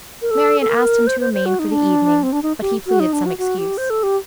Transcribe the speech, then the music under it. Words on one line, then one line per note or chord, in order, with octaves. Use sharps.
Marian asked him to remain for the evening, but he pleaded some excuse.
A#4
A4
A4
A#4
C5
C5
C5
F#4
D#4
D4
C4
D4
D#4
G4
F#4
D#4
D4
F#4
F#4
G4
C5
A4
G4